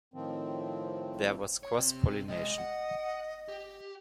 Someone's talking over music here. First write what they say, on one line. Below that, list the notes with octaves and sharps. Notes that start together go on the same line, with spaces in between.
There was cross pollination.
A2 D#3 F3 C4
C#5
C3 C4
C3 G#3 D#5
F#5
G4